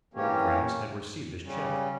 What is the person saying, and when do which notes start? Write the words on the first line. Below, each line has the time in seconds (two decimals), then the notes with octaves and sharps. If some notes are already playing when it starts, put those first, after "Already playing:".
Old Grannis had received his check.
0.14 E3 A#3 C#4 G4 C#5
1.43 C#3 G3 C#4